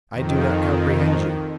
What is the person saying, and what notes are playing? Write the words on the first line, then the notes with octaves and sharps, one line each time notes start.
I do not comprehend you.
F2 D#3